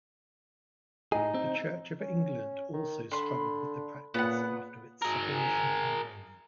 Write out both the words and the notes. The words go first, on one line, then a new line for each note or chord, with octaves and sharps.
The Church of England also struggled with the practice after its separation from Rome.
A2 D#4 G#4
C4
C#4
D#3
D3 B5 C6
A#2 C#3 B3 F#5
G#4 A#4